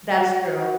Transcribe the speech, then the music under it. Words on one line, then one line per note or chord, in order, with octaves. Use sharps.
That's true.
F#4
F#4